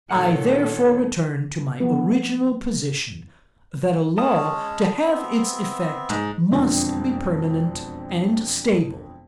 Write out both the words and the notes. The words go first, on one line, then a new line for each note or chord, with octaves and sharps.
'I therefore return to my original position, that a law, to have its effect, must be permanent and stable.
A#2 D#3 A4 C#5 F#5
F3 F#3 B3 B4
G#3 C#4 C#5 A5 D#6
B3 C4 E5
G#2
E1 F2 D3 C4 D4